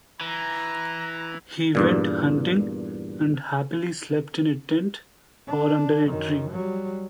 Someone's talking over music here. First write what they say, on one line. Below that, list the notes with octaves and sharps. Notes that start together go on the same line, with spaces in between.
He went hunting and happily slept in a tent or under a tree.
E3 A#5
E2 G2 A#2
D4
F#2 D#3
F#3 G3